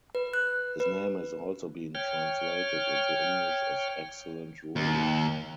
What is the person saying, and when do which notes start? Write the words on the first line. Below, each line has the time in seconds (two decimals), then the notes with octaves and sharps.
His name has also been translated into English as Excellent Rule.
0.15 B4
0.33 F#6
0.80 B4
1.95 C#5 G5 F6
4.76 D#2